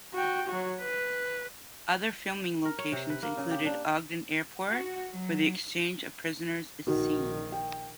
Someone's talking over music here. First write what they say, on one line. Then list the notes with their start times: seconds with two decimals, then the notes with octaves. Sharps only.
Other filming locations included Ogden Airport where the exchange of prisoners is seen.
0.14 F#4 G5
0.47 F#3 F#4
0.81 B4
2.65 A#4
2.78 C#5
2.92 C3
3.10 B4
3.22 A#3
3.37 C#3
3.51 G4
3.65 D4
4.69 F#4
5.10 F#3
6.87 A#1 D#3 D#4 F#4
7.52 G5